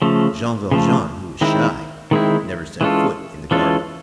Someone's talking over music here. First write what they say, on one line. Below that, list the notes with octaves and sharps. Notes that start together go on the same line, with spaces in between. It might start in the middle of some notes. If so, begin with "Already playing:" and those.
Jean Valjean, who was shy, never set foot in the garden.
C#3 F3 A3
C#3 F3 A3
D#3 G#3 C4 E4
D#3 G#3 C4 E4
E3 G#3 C#4 F4 A4
E3 G#3 C#4 F4 A4